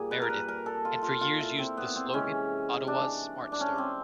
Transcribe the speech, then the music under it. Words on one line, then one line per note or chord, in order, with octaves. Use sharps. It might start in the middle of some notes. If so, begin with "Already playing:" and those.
Meredith, and for years used the slogan "Ottawa's Smart Store".
Already playing: A#2 G3 A#3 G#4
B4
A#4
B4
A#4
A4
F4
F4
F4
E4
C4
B3
C4
C3 E3 G#3 C#4
D4
D4
C#4
C4